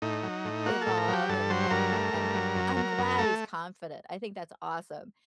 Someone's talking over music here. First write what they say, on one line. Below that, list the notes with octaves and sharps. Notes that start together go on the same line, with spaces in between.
evolve, and and and I'm glad he's confident, I think that's awesome,
A2 D#4
F#3
A2
A#3 F#4
A4
A2
A#4
F#3 G4
G2 A4
F#3 C5
G2 A#4
A3
G2
F#3
F#2
F#3
F#2
A3 A4